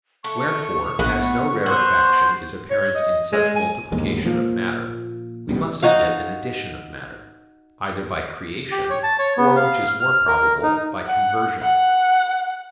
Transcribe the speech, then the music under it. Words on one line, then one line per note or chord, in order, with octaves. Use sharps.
Wherefore, as no rarefaction is apparent in such multiplication of matter, we must admit an addition of matter: either by creation, or which is more probable, by conversion.
A3 C#6
A#1 B2 B3 F#5
B3 F#4 C5
C#5
D#5
G#3
G#5
E1 D#2 G#2 D#3
A#2 F3 A#3
A1 B2 G3
D#4 F#4 F5
G4
C#5
A5
C#5
B3
F5
F6
A#4
D#4
F#5
F#5